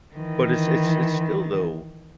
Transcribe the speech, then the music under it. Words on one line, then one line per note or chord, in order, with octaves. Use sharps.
But it's it's it's still though,
D#3 E3